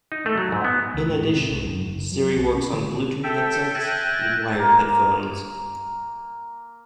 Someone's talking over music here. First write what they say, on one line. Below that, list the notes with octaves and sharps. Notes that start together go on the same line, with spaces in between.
In addition, Siri works on Bluetooth headsets and wired headphones.
D#4
A3
F#3
G#2
B3
C#2
G#2
A2
C3
C2
F#2
F#1
F#3
B1
C#4
D3
A4 E5 G5
E5 G5 G#5 F#6 A6 A#6
A#3 A#4